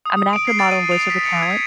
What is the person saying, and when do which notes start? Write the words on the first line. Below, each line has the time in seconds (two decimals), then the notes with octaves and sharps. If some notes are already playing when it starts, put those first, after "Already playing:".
I'm an actor, model, and voice-over talent,
0.06 D#6
0.17 D#6
0.33 D7
0.47 C7
0.59 A6
0.71 D#7
0.91 F7
1.10 B6
1.26 C#7
1.42 G#6